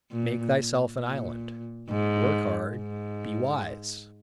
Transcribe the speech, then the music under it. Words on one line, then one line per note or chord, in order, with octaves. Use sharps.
Make thyself an island, work hard, be wise!
A#2
A#2
G#2
G#2